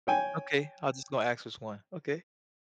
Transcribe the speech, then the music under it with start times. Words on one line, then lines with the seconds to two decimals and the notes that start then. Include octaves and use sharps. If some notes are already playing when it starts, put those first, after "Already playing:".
Okay, I was just gonna ask which one, okay.
0.07 C#5 G5 G#5